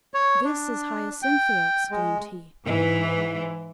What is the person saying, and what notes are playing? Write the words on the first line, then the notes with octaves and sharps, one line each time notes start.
"This is Hyacinthia!" exclaimed he.
C#5
D4
G5
G#3
G#2 E3